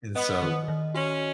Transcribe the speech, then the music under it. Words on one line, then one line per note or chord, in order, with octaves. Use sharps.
comedy. And so
B3 D#5
D#3
D#3
C#4 F#4